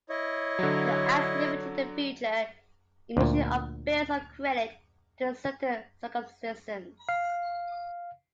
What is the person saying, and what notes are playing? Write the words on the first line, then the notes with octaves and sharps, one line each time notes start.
The Act limited the future emission of bills of credit to certain circumstances.
E4 C#5 D#5
D3 F#3
D2 A#2
F5